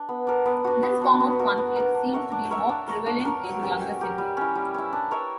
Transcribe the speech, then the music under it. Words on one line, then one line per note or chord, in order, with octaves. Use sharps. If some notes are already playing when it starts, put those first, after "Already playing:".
This form of conflict seems to be more prevalent in the younger sibling.
Already playing: D4
B3
D4 A#4
B3
D4 F#4
B3
D4 F#4
B3
D4 F#4 A#4
B3
D4 F#4 A#4
D4
A#4 C#5 E5
D4
A#4 C#5 E5
D4
A#4 C#5
D4
A#4 C#5
F#3
C#4 G4 A#4
F#3
C#4 G4 A#4
G3
C#4 E4
G3
C#4 E4
D4
A#4 C#5 E5